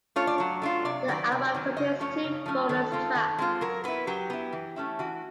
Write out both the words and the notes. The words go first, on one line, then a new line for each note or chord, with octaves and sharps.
The album contains two bonus tracks.
A3 D4 F4 C#5
D5
F#3 C#5
A3 D4 F4
C3 D5
D#3 F#3 B3 D5
C3
D#3 F#3 B3
C#3 D#5
F3 A3 C#4 C#5
C#3
F3 A3 C#4
D#3 A4
G#3 C4 F4
D#3
G#3 C4 F4
F#3 A#4
B3 E4 B4
F#3 G4
B3 E4
E3
A3 C#4 E4
E3 F#4